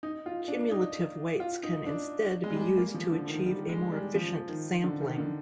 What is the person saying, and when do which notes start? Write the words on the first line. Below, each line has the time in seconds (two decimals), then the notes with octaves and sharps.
Cumulative weights can instead be used to achieve a more efficient sampling.
0.03 D#4
0.26 F4
0.48 D4
0.71 D#4
1.40 F4
1.63 D#4
1.86 D4
2.43 G#3
2.50 G3
2.57 G#3
2.77 A#3
2.94 F3
3.12 D3
3.29 D#3
3.46 G3
3.69 G#3
3.92 G3
4.15 F3
4.49 D#3
4.83 D3
5.01 D#3
5.18 D3